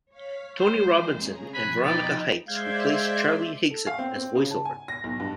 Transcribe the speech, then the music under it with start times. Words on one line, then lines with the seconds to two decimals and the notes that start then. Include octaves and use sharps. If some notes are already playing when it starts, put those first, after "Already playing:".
Tony Robinson and Veronika Hyks replaced Charlie Higson as voiceover.
0.11 C#5 F5 F6 B6
0.56 G3 G#3 C5
0.91 E3 G3 G#3 A#3
1.20 C#3 G#4 A#5
1.54 B2 F3 G#5 B5 F#6
1.84 D#4 D5 D#5 G5 B5
2.48 G#3 C5 D5 E5 F5 G6 G#6
3.70 A4
3.87 F5
3.98 C4
4.15 C4
4.35 C#3
4.51 A5
4.65 G#5
4.88 A#6
5.04 B1
5.20 G2